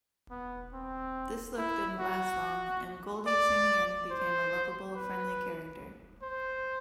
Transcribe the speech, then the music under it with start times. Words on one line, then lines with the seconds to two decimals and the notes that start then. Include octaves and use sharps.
This look didn't last long, and Goldy soon again became a lovable, friendly character.
0.31 B3
0.73 C4
1.58 E4
2.00 F#4
3.27 D5
4.11 C5
4.95 B4
6.22 C5